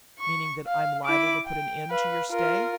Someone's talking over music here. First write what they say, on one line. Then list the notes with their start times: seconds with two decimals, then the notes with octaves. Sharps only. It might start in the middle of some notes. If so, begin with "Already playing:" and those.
"Meaning that I'm liable to put an end to your stay?"
0.19 C#6
0.67 F5
1.05 E4 D6
1.46 G5
1.90 B4 F5
2.30 F4 A#4